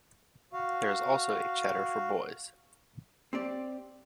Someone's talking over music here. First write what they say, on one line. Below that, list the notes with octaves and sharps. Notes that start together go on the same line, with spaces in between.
There is also a cheder for boys.
F#4 F5
C4 G4 D5